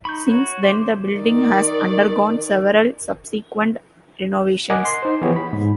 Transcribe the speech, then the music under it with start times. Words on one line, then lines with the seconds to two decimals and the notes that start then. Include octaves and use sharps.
Since then, the building has undergone several subsequent renovations.
0.05 D#4 B5 C#6 G6
0.28 F#4 C#5
0.63 G4 C5 C6 D6
1.15 D#3 D5
4.70 A#4 D#5 F#5 G#5 D6 F#6
4.85 C6
5.02 D#4 C5
5.22 E3 F3 B3 G4 G#4 C#5
5.36 B5
5.53 G#2